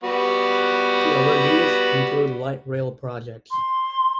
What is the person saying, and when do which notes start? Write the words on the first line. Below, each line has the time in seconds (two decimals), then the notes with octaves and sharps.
The awardees include light rail projects.
0.03 G3 B3 F#4
3.51 C6